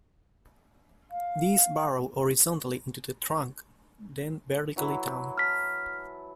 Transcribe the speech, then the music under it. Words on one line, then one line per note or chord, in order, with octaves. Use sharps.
These burrow horizontally into the trunk then vertically down.
F5
E3 F#3 E4
A5 F6 B6